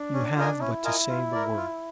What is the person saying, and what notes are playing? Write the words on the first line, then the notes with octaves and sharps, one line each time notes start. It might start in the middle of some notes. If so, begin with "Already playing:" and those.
You have but to say the word.
Already playing: D4
C#4
F4 A#4 D#5 G#5
C#4 E4
F4 A#4 D#5 G#5
F4
A#4 D5
F4